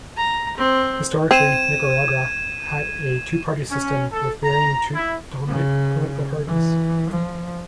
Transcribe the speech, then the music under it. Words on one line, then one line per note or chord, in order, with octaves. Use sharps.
Historically, Nicaragua had a two-party system, with varying two dominant political parties.
A#5
C4
C4 G#6 D#7 E7
C#4
A4
A#5
E4
C#3
E3
F3